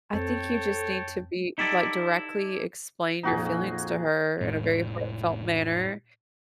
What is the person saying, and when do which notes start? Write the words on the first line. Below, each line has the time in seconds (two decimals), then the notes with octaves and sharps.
I think you just need to be like, directly explain your feelings to her in a very heartfelt manner,
0.13 F2 A3 C4 A4 C#5 G5 A5
1.58 D#4 E4 G4 A4 D5
3.23 F2 A#2 D#4 F#4 G#4
4.40 F1 A2 G#3